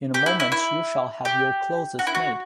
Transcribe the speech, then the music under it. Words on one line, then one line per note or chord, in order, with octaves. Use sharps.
In a moment you shall have your clothes made.
G4
E4
E4
E4
G4
F#4
E4
F#4